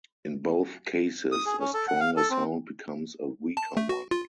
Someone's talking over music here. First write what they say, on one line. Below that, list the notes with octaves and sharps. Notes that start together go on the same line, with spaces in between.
In both cases, a stronger sound becomes a weaker one.
D#6
G#4
C#4
A4
F#5
F5
A4
C4
A5
A3
F#4
F4